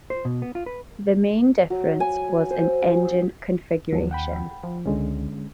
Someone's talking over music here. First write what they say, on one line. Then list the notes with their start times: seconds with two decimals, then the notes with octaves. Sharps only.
The main difference was in engine configuration.
0.10 C5
0.25 B2
0.42 B3
0.55 F4
0.66 B4
1.70 F#3
2.00 G#5
2.50 C5
3.92 D#2 G#2 F3 F#3
4.11 F#5 G5 B5
4.63 F3
4.86 C#2 D3 G#3 C#4